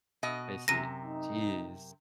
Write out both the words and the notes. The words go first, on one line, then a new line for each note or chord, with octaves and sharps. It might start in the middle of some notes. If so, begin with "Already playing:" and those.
I see. Jeez.
B2 D#5
F#2 C3 A#6 D#7
D#4